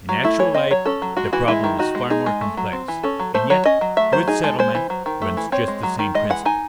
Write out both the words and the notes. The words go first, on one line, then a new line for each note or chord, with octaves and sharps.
In actual life the problem is far more complex, and yet, through its settlement runs just the same principle.
F#3
A3 E4
E3 C#5
C4 D#5
F#3 C#5
C#4 A4
F#3
G#3 F#4
E3 F#4
G#3 E4
D#3
D#4 F#4
G#3
D#4 G#4
G#3
A3
F#3
C4
E3
C#4 A4
F#3
A3 C5
F#3 C#5
C#4 D#5
F#3
A3 E5
F#3 C5
D#4 G#4
G#3 A4
G#3 C5
E3
F#3
D#3
A3
E3
C4 C#5
G#3
F#3
D#3
G#3 D#5
E3 F#5
D#4 G#5